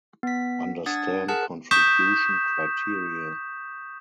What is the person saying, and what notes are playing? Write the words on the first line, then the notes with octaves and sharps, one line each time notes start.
Understand contribution criteria.
B3 B6
D4 F#5 D#6 G#6 A6
G#4 A#4 F#5 A5 F#6
C#6 D#6 G6 B6 E7